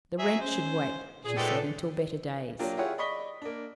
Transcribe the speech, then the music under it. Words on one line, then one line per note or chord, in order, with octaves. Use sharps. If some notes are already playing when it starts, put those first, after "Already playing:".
The rent should wait, she said, until better days.
F#3 G#4 E5
C#4 C5
A#2 G#4
G#2 G#3 A3 B3 G4 A4
F#3 A#3 D4 F4 G4
E4 F4 G4 G#4 C#5 F#5
D5 D#5 B5 C#6 B6 G7
A#3 D4